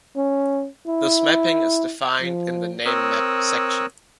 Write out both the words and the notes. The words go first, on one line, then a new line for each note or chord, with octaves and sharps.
This mapping is defined in the name map section.
C#4
E4
F3
C4 A#4 C#5 D#6 E6 F#6